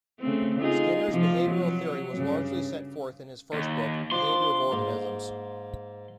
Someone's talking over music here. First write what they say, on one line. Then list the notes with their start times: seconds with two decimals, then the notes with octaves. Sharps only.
Skinner's behavioral theory was largely set forth in his first book, "Behavior of Organisms".
0.20 C#3 A3 C4
0.59 D#4 F4 G#4
1.11 C3 F3 F4
1.49 F#3
2.15 G2 C#3
3.53 D#2
4.11 F3 D4 C6 D6
4.72 G#2 A#3